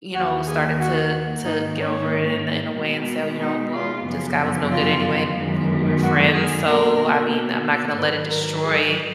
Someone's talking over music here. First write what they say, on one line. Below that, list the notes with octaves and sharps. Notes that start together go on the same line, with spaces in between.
you know, started to to get over it in a in a way and say, "Oh, you know, well, this guy was no good anyway, and we were we were friends. So, I mean, I'm not gonna let it destroy
D#2 D#3 A#3 F#4
G#4
F#4
G#2 D#3 A#3 D#4
C#4
B2 G#3 B3
D#4
F4
F#2 C#3 F3 B3
F4
F#2 D#3 G#3 B3
F#4
G#4
B2 A#3 A#4
G#2 D#3 F#3 B4
A#4
G#4